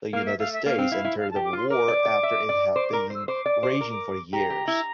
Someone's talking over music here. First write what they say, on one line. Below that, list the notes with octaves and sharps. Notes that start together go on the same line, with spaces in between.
The United States entered the war after it had been raging for years.
A#3 F5
E5
A3 F5
E5
A#3 F5
C4
E4
E4
F5
G4 A5
D6
F4 C6
A#4 D6
D5
D5
E5
D5
C5 D6
A#4 D6
C5 E6
C5 D6
D5
C5
A#4
G4 A#5
G4
E4